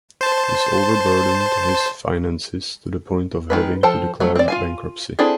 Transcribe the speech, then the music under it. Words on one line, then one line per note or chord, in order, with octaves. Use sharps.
This over burdened his finances to the point of having to declare bankruptcy.
C5 A5
D#3 G#3 B4
F3 A4 C5 G5 A5
F#3 A3
C4 D5
F4 F5 G#5
C4 D4 E4 G#4 A4